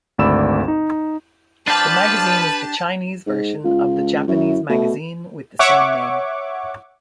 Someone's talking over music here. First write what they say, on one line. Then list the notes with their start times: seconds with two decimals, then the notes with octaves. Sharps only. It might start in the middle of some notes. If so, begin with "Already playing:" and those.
The magazine is the Chinese version of the Japanese magazine with the same name.
0.18 G#1 D2 D5 B5 E6 E7
0.68 D#4
1.68 F3 D4 G4 B4 D5 A5
3.27 G#2
3.65 C#2 F4
4.28 F#2 E4
4.69 B2 A3
5.59 C#5 E5 F#5 C#6 D6